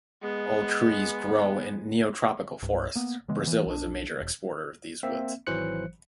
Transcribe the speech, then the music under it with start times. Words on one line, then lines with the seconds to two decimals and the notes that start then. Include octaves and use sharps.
All trees grow in neotropical forests; Brazil is a major exporter of these woods.
0.23 G#3 B3
2.63 C2 G2
2.95 A#3 B3
3.28 C#3 E3 G#3 B3
3.46 E3 B3
3.66 B1 D4
4.21 E1
5.03 A#3 C4 E5
5.47 G#1 E3 F#3 C5 F#6 C#7